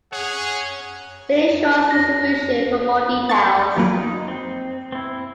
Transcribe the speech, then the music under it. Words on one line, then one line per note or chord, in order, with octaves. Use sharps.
See Schwartz distribution for more details.
C#4 G#4 C#5 F#5
A#6
C#6 A6
F3 F#3 A#3 B3 A#4 B4
D#4
C4
C4 E4